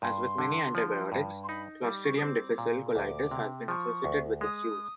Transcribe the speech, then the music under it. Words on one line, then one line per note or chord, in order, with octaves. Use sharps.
As with many antibiotics, "Clostridium difficile" colitis has been associated with its use.
G2 C6
D3
F3
G2
C6
D#4 B5
G3 D6
C#6
D#6
C4 D6
A#2
D2 D6
C3
F3 C#6
D2
G#3 D#6